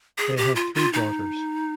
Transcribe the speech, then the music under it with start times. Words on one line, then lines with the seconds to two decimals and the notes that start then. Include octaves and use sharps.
They have three daughters.
0.18 G#4
0.37 G4
0.56 F4
0.75 F4
0.93 D#4